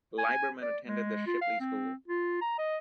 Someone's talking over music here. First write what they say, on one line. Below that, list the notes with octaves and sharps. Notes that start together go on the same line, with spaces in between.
Lieberman attended The Shipley School.
G#5
D5
G#3
F4
F5
C4
F4
A#5
D#5